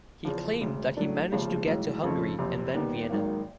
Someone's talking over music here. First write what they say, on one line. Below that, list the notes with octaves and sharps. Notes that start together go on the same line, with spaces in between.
He claimed that he managed to get to Hungary and then Vienna.
E2 C#3 F3
E1 D2 C#3
A2 F#3 A3 D4
F1 D#2 C#3 F3 G#3
B1 A2 E3 G#3
F2 C#3 F3 A3 C#4
F#1 F2 C3
D#2 D#3 G3 B3
G#1 G#2 D#3 F#3 A#3